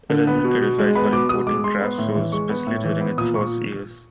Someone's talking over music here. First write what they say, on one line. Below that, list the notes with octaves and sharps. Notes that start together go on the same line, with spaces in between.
It has been criticized for importing "trash shows", especially during its first years.
D3
B3
B2
B2
G#3
B3 B5
B2 D6
B2 D#6
G#3 D6
G#3 C6
B3
A2
E3
G#3 C#6
B3
A2
E3
B3
A#2 D#6
A#2 C#6